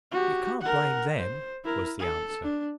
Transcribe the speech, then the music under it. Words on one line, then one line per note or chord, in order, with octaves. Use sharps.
"You can't blame them," was the answer.
F#4 G4
A#4 F#5
C5
E4 A#4
A4
D4